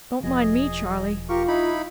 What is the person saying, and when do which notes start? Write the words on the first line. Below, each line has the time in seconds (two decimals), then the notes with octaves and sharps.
Don't mind me, Charley!
0.23 E1 F3 G#4 D#5
1.29 F4 G4 A#4 C#6
1.48 D#4 E4 B5